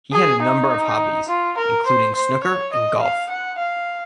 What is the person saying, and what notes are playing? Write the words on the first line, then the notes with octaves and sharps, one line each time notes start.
He had a number of hobbies, including snooker and golf.
G#4
D#4
F4
A#4
C5
C5
C#5
D#5
F5
F#5
F5